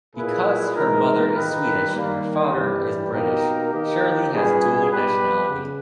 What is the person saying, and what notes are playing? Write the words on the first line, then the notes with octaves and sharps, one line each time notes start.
Because her mother is Swedish and her father is British, Shirley has dual nationality.
A#2 A#3 E4 G#4 B4
E3 G#3 D#4 A#4
D#3 A#3 D#4 G4 B4
D#3 G3 A#3
G2 E3 G3
B2 A#3 D#4 G4 A#4
D#3 A#3 D#4 G4
A#2 G3 C#4 G#4 B4
G3 B3 G4 B4
C#3